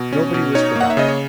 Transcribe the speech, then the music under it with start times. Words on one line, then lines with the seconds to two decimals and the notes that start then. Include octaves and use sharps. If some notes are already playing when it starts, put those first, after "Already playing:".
Nobody was forgotten.
Already playing: B2
0.13 C#4
0.34 B2
0.55 D#4 C#5
0.76 A#3
0.81 F#5
0.90 E5
0.97 C#3 D#5
1.08 C#5